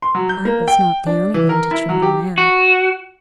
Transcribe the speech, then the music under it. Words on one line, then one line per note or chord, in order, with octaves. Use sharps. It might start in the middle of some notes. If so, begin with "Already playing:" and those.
I was not the only one to tremble now.
C6
F#3
G6
A#3
G5
D4
E3
A#4
E4
F#3
G4
F#4